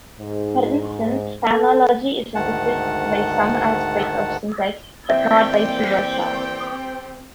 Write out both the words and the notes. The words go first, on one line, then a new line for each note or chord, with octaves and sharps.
For instance, phonology is affected by some aspects of syntax, but not vice versa.
G#2
A4
D2 G#2 D#3 F#5 A5
E3 A#3 C4 G4 A4 D5 E5 G5